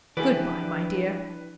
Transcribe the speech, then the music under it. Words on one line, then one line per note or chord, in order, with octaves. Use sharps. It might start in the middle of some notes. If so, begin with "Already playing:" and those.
Good-by, my dear.
E3 F3 D4 E4 G4 G#4 B4 D5